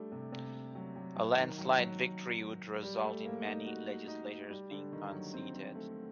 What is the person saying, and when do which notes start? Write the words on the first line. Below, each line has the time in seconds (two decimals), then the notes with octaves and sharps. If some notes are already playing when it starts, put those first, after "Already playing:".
A landslide victory would result in many legislators being unseated.
Already playing: G3 A3 D4
0.12 C3
0.32 C3
0.75 F#3
0.96 F#3
1.16 F#3
1.37 D#3
1.58 F#3
1.78 F#3
2.83 G3
3.04 A3
3.25 A#3
3.46 D#4
3.66 F#4
4.08 D#4
4.50 G3
4.71 D3
4.92 D#3
5.12 F#3
5.34 C4
5.54 C4
5.75 A3